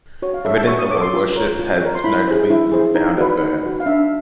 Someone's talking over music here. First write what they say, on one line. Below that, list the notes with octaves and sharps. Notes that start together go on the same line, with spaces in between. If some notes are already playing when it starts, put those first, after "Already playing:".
Evidence of her worship has notably been found at Bern.
F#4 C#5
F5
A4 C#5 E5
A5
F#4 C#6
D#6
A4 C#5 D6
C6
F4
A#4 C#5
F4
A#4 C#5
C6
E4 B5
G#4 C5
E4
G#4 C5
D#4 A#5
F#4 B4
D#4
F#4 B4
F5
D4 E5